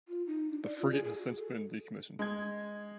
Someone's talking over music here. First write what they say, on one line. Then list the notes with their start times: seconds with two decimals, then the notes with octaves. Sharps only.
The frigate has since been decommissioned.
0.09 F4
0.27 D#4
0.50 D4
0.63 D5
0.80 F4
0.92 G#4
1.04 G#4
1.18 F#4
1.37 A4
2.19 G#3 G#6